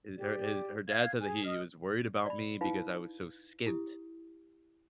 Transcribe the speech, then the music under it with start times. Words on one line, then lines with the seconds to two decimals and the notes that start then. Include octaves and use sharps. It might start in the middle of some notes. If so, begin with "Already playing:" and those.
eh her his her dad said that he was worried about me because I was so skint.
0.18 G4 D5
0.88 F5 G#6
1.20 G#4 G#5
1.44 D#5 D#6 F6
2.26 D5 B5
2.61 D#4 E4 B4 F5 B5
3.67 E4 G4 D#6